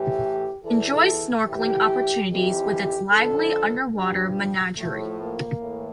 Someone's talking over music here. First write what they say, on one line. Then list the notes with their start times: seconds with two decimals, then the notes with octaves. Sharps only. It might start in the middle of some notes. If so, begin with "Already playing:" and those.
Enjoy snorkeling opportunities with its lively underwater menagerie.
Already playing: A2 E3 G4
0.64 E2 E3 A4
1.46 A2 E3 G4
2.29 F2 E3 G4
3.12 F2 D3 F3 A4
3.95 G2 F3 G4
4.78 A2 F3 A3
5.19 A#3
5.60 A2 E3